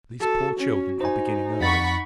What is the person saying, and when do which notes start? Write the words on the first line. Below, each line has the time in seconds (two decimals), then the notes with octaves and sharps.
These poor children are beginning early.
0.20 F#4 A4
0.59 C#4
1.01 D#4 C5 G#5
1.61 F2 F#5 B5 C#6 A6